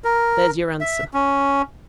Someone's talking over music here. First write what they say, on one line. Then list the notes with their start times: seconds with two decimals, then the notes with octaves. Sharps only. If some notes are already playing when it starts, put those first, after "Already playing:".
There's your answer.'
0.04 A#4
0.81 E5
1.14 C#4